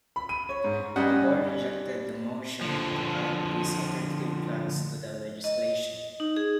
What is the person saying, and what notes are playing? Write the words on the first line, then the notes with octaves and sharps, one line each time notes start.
The Board rejected the motion to add these alternative plans to the legislation.
B5
D#7
C#5
G#2
G2 G3 C#4 D#4 D#5 F#5
D3 F3
D#5
D#4
G#4